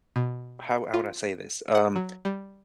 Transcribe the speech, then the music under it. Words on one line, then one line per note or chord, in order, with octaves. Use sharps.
how how would I say this, um
B2
F4
F#5
F#3
G3